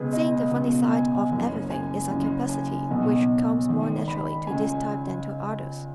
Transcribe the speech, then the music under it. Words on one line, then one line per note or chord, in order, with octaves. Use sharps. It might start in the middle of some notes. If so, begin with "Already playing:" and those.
Seeing the funny side of everything is a capacity which comes more naturally to this type than to others.
Already playing: C#2 B2 G#4 B4
D#5
C#2 B2
G#5
F#1 F#2 C#3
G#5
F#1 F#2 C#3
G#5
B1 B2
G#1 G#2 D#3
B5
C#2 C#3 G#5